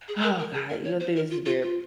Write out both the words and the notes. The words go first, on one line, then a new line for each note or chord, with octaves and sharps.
Oh god. You gonna think this is weird,
G#4
A#4
A#4
G#4
A#4
C#5
C5
A#4
F4
F4
F4